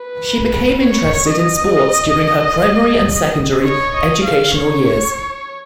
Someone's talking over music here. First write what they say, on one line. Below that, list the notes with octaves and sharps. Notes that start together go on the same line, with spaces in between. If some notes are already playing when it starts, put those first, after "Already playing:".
She became interested in sports during her primary and secondary educational years.
Already playing: B4
C#5
D#5
C#5
D#5
F5
C#5